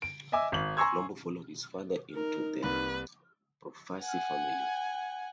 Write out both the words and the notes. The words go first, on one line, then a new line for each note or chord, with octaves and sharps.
Colombo followed his father into the Profaci family.
D7
D#5 E5 G#5 D6 E6
G#1 F#7
G#5 A#5 C6 C#6 E6 G#6
D#4 A#4
C2 A#3 B4 B5
F#5 G#5